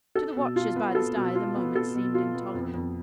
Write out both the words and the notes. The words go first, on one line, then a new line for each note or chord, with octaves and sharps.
To the watchers by the stye the moments seemed intolerable.
A4
B2
F4
B3
A4
B2
F4
B3
A4
B2
F4
B3
F2
F2